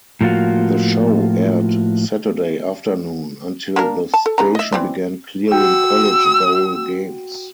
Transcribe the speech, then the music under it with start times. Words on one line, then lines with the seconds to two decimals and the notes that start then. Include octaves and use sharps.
The show aired Saturday afternoon until the station began clearing college bowl games.
0.21 A2 F3 A#3 F4 F#4
3.76 A#3 D4 A#4
4.14 A5
4.26 A4
4.38 C#3 E3 A#5
4.55 D#5 E5
4.72 E3 C4 D5
5.52 F#4 G5 E6